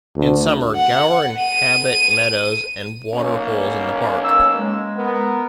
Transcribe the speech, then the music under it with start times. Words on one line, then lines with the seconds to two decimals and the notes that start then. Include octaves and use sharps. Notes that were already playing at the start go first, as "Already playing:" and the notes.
In summer gaur inhabit meadows and water holes in the park.
0.16 D2
0.76 F#5
1.42 D#7
3.13 B1 A#3 C#4
4.24 E6
4.57 G#3
4.96 B3 A#4